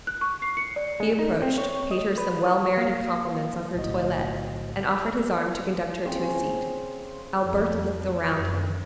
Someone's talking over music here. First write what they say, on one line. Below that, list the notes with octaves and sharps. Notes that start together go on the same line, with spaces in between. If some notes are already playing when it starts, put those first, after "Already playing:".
He approached, paid her some well merited compliments on her toilet, and offered his arm to conduct her to a seat. Albert looked around him.
F#6
C#6
C7
C#7
D5
G#3
D#4
C4
C#5
D#5
B4
C#5
A#3
B1 A2 D3 F#4 D#5
C#3 C4 G#5
F2
F#2